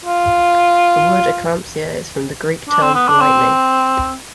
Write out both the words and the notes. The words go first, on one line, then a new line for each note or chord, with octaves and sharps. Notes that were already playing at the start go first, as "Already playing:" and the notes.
The word eclampsia is from the Greek term for lightning.
F4
D4
C4
B3
D4
C4